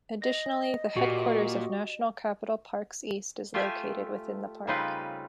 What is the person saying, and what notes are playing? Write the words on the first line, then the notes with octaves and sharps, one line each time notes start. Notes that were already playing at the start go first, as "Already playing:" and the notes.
Additionally, the headquarters of National Capital Parks-East is located within the park.
D#5 A#6
A#2 F#4 G4
A3 F4 G4 E5 G#5
C#3 G3 C4 D#4 F4 B4